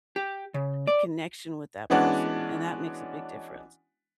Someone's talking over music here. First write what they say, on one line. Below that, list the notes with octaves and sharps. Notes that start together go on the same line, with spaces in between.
a connection with that person, and that makes a big difference.
G4
C#3
D5
E3 G#3 B3 C#4 D4 F#4